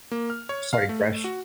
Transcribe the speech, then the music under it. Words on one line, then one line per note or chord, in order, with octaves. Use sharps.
Starting fresh.
A#3
F6
C#5
F5
A3
F#4